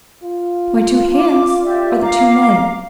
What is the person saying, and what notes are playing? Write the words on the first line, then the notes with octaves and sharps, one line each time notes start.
My two hands are the two men.
F4
D6
G4 D5 E5
F5 A#5 D6